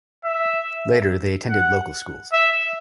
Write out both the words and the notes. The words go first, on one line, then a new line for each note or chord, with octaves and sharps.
Later, they attended local schools.
E5
F#5
E5